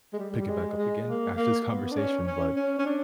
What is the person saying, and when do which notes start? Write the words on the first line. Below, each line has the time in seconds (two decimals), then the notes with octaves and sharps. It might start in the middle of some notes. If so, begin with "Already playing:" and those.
pick it back up again after this conversation, but
0.13 G#3
0.19 G3
0.38 G3
0.48 G#3
0.78 G#3
1.07 A#3
1.37 A#3
1.68 B3
1.92 D4
1.97 C#4
2.26 C#4
2.56 C#4
2.79 C#4
2.86 D4